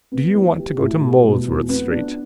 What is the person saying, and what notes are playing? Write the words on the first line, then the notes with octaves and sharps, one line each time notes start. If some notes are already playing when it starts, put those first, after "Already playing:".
Do you want to go to Molesworth street?
B3
E3
G4
A2
G4
B2
E2
B3
D4